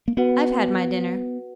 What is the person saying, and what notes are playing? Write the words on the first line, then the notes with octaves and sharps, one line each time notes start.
I've had my dinner.'
A#3
B3 F#4 B4 F#5